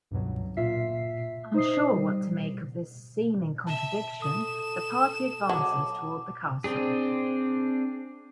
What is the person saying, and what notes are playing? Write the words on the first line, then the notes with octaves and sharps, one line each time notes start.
Unsure what to make of this seeming contradiction, the party advances toward the castle.
C#2 G2 B2 F#3
A#2 F4 E5 B6 C7
D#4 C5 D#5 D#6 C7
G3
E5 A5 E7
A4 D#6 E7
F#3 A5 D6
C4 D4 G#4